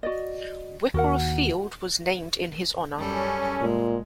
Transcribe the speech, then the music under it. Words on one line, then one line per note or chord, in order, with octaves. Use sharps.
Whipple Field was named in his honor.
F#4 D5 D#5
D#2 F#4 A#4 F#5
F#2 G3 C#4 A4
A#2 G#3